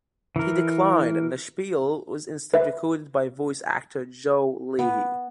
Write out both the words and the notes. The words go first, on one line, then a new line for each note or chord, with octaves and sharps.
He declined and the spiel was instead recorded by voice actor Joe Leahy.
E3 A#4
B4 E5
B3